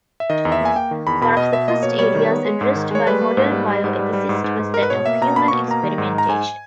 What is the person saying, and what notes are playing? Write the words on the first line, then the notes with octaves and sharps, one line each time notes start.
One of the first areas addressed by modern bioethicists was that of human experimentation.
E5
D#3 D#5
E2
E5
A#3 G#5
A#3 G5
D#3
E2 B5
B2 B5
B2 D#5
B2 E5
A#3 D#5
B2 C#5
G3 C#5
D#3
B3
G#3
G#2
D#3
G#3 C#5
G3 B4
A#3
G#2
G3
G3
G#2
G3
G3
G#2
G#2
G#2
G#2 A#4
B4
B2 C#5
A#3 E5
B2 A#5
A#3 B5
B2 C#6
A#3 A#5
D#3
G#2
G#2 A#5
G#2 G#5